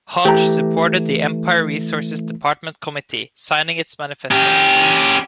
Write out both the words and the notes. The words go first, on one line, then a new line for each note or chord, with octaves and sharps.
Hodge supported the Empire Resources Department Committee, signing its manifesto.
E3 A3 G4 A#5
C#4 G4